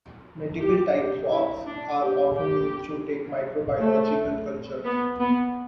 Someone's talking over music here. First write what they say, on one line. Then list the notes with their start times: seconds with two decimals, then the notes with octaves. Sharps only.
Medical-type swabs are often used to take microbiological cultures.
0.60 G4
0.96 G4
1.31 E4
1.66 D4
2.01 G4
2.37 G4
3.79 A3
4.85 B3
5.20 B3